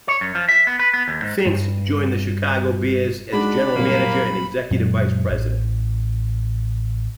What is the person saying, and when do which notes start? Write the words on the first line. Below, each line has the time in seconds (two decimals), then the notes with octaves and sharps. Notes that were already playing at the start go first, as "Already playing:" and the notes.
Finks joined the Chicago Bears, as general manager and executive vice-president.
0.08 C#5
0.21 F#2
0.35 F3
0.49 E5
0.67 B3
0.79 B4
0.94 B3
1.08 D#2
1.22 G#2
1.45 G2 G3
3.32 G#3 D4 D#4 F#4 B5
3.75 C2 F#2 A#2 F#3 A#3
4.71 F#2 A#2 F#3 G#3
5.29 A1